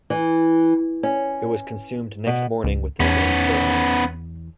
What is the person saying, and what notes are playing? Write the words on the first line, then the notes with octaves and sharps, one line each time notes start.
It was consumed next morning with the same ceremonies.
E3
C#4
B2
C#2
E2 B3 C#4